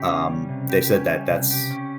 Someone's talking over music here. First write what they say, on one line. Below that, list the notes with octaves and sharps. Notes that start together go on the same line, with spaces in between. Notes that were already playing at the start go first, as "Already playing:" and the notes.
Um, they said that that's
Already playing: C#3 G4
C#4
G3
C3
G4
C#4
G3
C3
G4
C#4